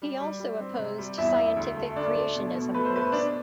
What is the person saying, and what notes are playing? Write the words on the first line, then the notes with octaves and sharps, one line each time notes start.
He also opposed scientific creationism groups.
G3
G3
G3
C4
C3
G3
E2 E4 E5
E2
D2
A3
D2 D4 D5
A3
B2
B2
A3 B4
C5
A3 B4
B2 D4 D5